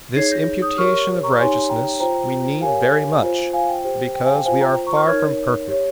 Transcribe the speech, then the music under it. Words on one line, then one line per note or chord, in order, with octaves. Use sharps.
This imputation of righteousness we need very much, because we are far from perfect.
D#4 G#4 C#5 G#6 C7
G6 A#6
D#6 G6
G4 A#4 C#5 C#6 F6
A#5 C#6
D#4 G4 C#5 G#5 C6
G5 A#5
F4 C5 G5 A#5
G4 A#4 C#5 F5 G#5
F4 C5
F5 G#5
G5
G4 C5
G5
F5 G#5
G5
F4 C5 F5 G#5
G5 A#5
A#5 C#6
C#6 F6
D#4 A#4 C#5 F6 G#6
G4 C#5